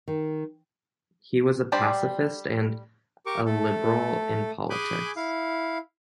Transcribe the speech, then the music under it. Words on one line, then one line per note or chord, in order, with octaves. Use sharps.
He was a pacifist and a Liberal in politics.
D#3
G3 D4 G4 C5 D5
G4 A#4 C#6 D6
A3 A4
G#4 G#5 B5 D6 F#6 G6
E4 F5